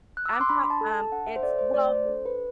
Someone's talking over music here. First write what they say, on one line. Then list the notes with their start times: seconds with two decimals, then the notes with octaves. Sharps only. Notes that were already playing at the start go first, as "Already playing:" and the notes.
I'm talk um, it's well,
0.17 F#6
0.26 E6
0.33 D6
0.41 C6
0.49 D4 B5
0.70 A5
0.81 A4
0.91 A5
1.12 D4 F#5
1.27 E5
1.36 C5
1.43 A4 D5
1.59 C5
1.74 A3 D5
1.95 C5
2.05 D4 A4
2.26 B4